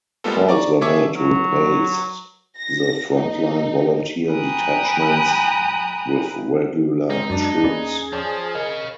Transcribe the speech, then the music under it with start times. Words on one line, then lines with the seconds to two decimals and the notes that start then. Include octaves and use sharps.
Calls were made to replace the frontline volunteer detachments with regular troops.
0.24 G3 G#3 A#3 B3 F4 A4
0.49 D5 A#5 C#6 D6
0.81 G#4 A4 C#5 E5 C#6 D6
1.11 F#3
2.58 A#6
3.12 D#4
4.31 G5 G#5 A#5 B5 D#6 F#6
7.10 G#3 C4 D#4 G#4 F5
7.30 F#2 D4 D5
7.63 E2 A#3 C#4 G#4 B4 D5
8.13 F3 C#4 C#5 D5 G#5 A5
8.55 A#4 C#5 D#5 F5